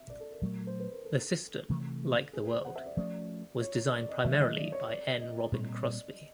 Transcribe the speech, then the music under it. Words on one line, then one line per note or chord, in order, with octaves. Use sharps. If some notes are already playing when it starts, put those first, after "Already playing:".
The system, like the world, was designed primarily by N. Robin Crossby.
Already playing: E5
D5
A4
A#4
A#2 F#3 A3
C5
B4
A#4
A4
C3 E3 A3
G#4
B4
C5
F#5
E5
D5
F3 A3 C#4 D5
C#5
D5
D#5
D#3 F#3 A3 E5
D#5
D5
C#5
D5
D#5
A#2 G3 C4
D5